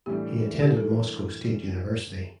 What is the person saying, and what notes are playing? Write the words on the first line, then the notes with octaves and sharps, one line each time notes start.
He attended Moscow State University.
A2 E3 G3 D4 G4
G4
A4
A#4